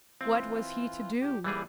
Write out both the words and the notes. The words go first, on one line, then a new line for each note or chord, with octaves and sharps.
What was he to do?
E3 C4 F4
E2 G4
D#2 A#2 E3 G3 E4 G#4